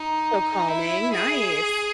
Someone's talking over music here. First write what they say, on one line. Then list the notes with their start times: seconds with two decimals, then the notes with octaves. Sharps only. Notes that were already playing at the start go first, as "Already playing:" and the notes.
So calming, nice.
Already playing: D#4
0.68 E4
1.13 G#4